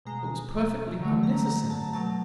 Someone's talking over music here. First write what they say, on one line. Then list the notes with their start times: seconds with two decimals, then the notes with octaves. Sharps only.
It was perfectly unnecessary.
0.05 B2 G#3 A#5
1.00 D3 F#3 A3
1.23 A#5
1.46 A#5
1.70 A5
1.93 B2 F#3 A3 A5